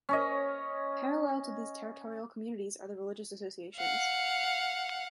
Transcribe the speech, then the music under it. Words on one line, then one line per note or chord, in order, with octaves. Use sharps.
Parallel to these territorial communities are the religious associations.
C#4 C#5 D#5
F5 F#5